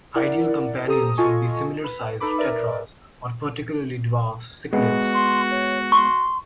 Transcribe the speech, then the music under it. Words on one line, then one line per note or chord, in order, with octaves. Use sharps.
Ideal companions would be similar sized tetras or particularly, dwarf cichlids.
E4 A#4 D5 F#5
G4 A4 C5 A#5 D#6
F4 A4 D#5 G#5 C#6
B4
D#4 A4 B4 B5 D6
A#4 B4 D5 E5
G#3 B3 F#4
C6
C#5
C6 C#6